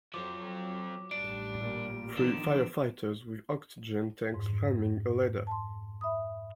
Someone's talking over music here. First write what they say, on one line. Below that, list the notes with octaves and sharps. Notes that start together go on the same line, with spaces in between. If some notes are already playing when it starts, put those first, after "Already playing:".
Three firefighters with oxygen tanks climbing a ladder.
F3 F#3 C4 D6
A1 G3 D4 D7
A#2
D3 D#3 F3 D#4 E7
F2 G#2
A5 C6
E5 B5 D#6